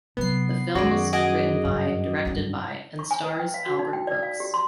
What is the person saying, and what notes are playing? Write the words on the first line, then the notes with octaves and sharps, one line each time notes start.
The film was written by, directed by, and stars Albert Brooks.
C3 F#3 B3 C7
F#2 D#3 F#4 G#4 D5
F#4 G#4 D#5 D6
G2
D2 G2
C#6
G#5
B4
G5
F5
F#4
D#4
G5
D5
F5
G4
C6